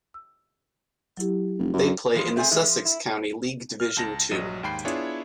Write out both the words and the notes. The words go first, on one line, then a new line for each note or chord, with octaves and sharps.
They play in the Sussex County League Division Two.
E6
F#3 E4 G4
F1
F#2
E3 F3 G#3
A3 C4 G#4 F5 G#5
E3 G#3 A3 D#4
F3
E4
F6
C#2 A5 A#6
A#1 G2 F#3 D#5 D#7 E7
D#2 G#2 G5 B5 C7
B3 D4 E4 F4 G#4 C#5